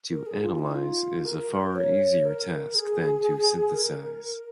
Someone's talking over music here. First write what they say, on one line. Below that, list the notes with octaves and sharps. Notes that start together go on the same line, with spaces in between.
To analyze is a far easier task than to synthesize.
A#4
G#4
F4
F4
D#4
F4
A#4
C#5
A#4
G#4
A#4